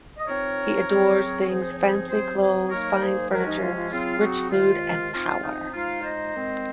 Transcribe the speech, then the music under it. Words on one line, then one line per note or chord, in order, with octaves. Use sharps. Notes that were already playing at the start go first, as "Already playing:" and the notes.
He adores things-fancy clothes, fine furniture, rich food-and power.
D#5
F3 C4 D#4 A#4 C#5
C#3 F#3 C4
C#5
C#3 F3 C4 D#4 G#4 C5
C#5
G#4 C5
C3 F#3 C4 G#4 C5
G#4 C5
D#3 F#3 A#3 D#4 A#4 C#5
C#5
G#4 C5
C3 F3 G#3 C#4 F#4 A#4
D#4
F4
F4
C#3 F#3 C4 F4
D#4 F#4
C3 D#3 G#3 F4
F3 C4 D#4 F4
D#4
F3 G#3 D#4 F4
C5 D#5
D#3 G#3 C4